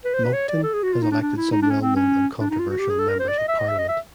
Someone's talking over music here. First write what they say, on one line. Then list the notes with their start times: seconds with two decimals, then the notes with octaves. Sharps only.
Moncton has elected some well-known and controversial Members of Parliament.
0.05 B4
0.14 C5
0.24 B4
0.34 C#5
0.49 D5
0.63 A4
0.73 G#4
0.83 F#4
0.93 F4
1.02 D#4
1.12 D4
1.22 D4
1.37 E4
1.52 D#4
1.62 D4
1.71 C#4
1.82 C4
1.96 C#4
2.41 D4
2.50 D#4
2.59 F4
2.70 F#4
2.79 G4
2.89 G#4
2.99 A4
3.09 A#4
3.20 C5
3.28 D5
3.38 D#5
3.49 E5
3.59 D#5
3.68 E5
3.78 D#5
3.88 E5